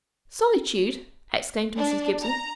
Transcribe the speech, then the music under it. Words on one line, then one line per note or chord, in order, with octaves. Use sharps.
"Solitude!" exclaimed Mrs. Gibson.
D4
A#5